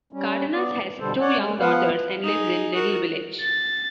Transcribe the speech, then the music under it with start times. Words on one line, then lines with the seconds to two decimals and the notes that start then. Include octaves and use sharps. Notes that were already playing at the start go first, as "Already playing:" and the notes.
Cardenas has two young daughters and lives in Little Village.
0.13 G3 C#4
0.52 B3 D5
1.00 B2 D3 G3 A4 C5
1.21 C#5 D5 F#5
1.37 G#3
1.60 F3 B3 B4 F5 F#5
2.23 D#4 G#4
2.75 F#4 A#4
3.41 A6